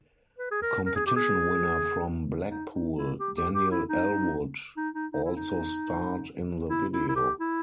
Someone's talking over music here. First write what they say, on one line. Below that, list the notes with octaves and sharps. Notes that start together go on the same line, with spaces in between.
A competition winner from Blackpool, Daniel Ellwood, also starred in the video.
B4
G#4
A#4
A#4
G#4
G4
G#4
D#4
D#4
E4
G4
G4
G4
E4
D#4
D#4
D#4
D#4
E4
D#4
E4
E4
E4
G4
E4